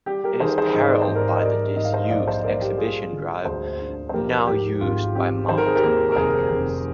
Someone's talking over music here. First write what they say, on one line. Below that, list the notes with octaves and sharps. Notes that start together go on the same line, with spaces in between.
It is paralleled by the disused Exhibition Drive, now used by mountain bikers.
G3 G4
G4 A#4
D#3 G#4 C5
A#4
G#4 C5
G#2 D#5
D5
C5
G#2
A#4 D5
D#5
G3 A#4 D5
G#2 D#5
F5
C5 D#5
D#5
A#1 D5 F5
C5 D#5
A#3 A#4 D5
G4
G3 F4 G#4
D3
D2 G#4 C5
D4
C5
F3 G4 A#4
G#2 G4
G#1 F4
C4 G4
D#3 C5
A#4
G#4
G4 A#4
D#2
A#4
F1 G#4 C5
F1